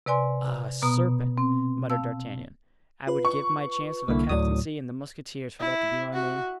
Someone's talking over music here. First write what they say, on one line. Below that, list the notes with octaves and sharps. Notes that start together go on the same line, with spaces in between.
"Ah! serpent," muttered D'Artagnan, "I would give my chance of a captaincy in the mousquetaires for that to be my name."
C3 B4 D5 G#5 C6
B2 B3 A#5 D#6
C4
F5 A5 E6
F4 B4
C#6
C2 D3 A#3 E4
D2 A2 F#3 D5 D#6
E4
F#4